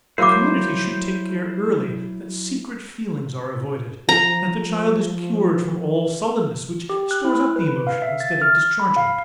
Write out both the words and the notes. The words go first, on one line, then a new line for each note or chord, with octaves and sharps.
The community should take care early that secret feelings are avoided, that the child is cured from all sullenness which stores up the emotion instead of discharging it.
F#3 E4 A#4 C5 F5 D6
F3 A#5
G4
F#6
E4
B4
F5
E5
A6
F6
B5
F5